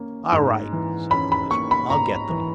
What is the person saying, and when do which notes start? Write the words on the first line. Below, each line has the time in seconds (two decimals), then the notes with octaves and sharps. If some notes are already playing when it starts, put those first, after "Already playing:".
"All right," said the Lizard; "I'll get them."
Already playing: A#3 C#4
0.32 G#2
0.73 E3
1.11 C#4 B5
1.32 B5
1.50 A#3 C#6
1.71 B5
1.90 G#2 A#5
2.29 E3